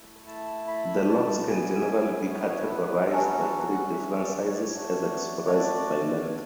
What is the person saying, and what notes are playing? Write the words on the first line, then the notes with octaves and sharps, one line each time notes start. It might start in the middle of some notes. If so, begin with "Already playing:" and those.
The locks can generally be categorized by three different sizes, as expressed by length.
Already playing: A3 E4
A5
B5
A5
B3 E4 G#5
C#5
B4
C#5
A4
B4
F#3 C#4 F#4 A4
B4
A4
A4
F#5
E5
D5
C#5
D5
C#5
A3 D4 F#4
C#5
D5
C#5